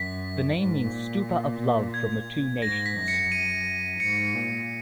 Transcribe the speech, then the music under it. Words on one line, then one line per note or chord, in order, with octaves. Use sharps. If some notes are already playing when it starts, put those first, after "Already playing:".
The name means "Stupa of Love from the Two Nations".
Already playing: F#2 B6
G#2
A#2
G#6
G#2 A#6
B6
F#2
C#7
D#7
G#2 C#7
A#2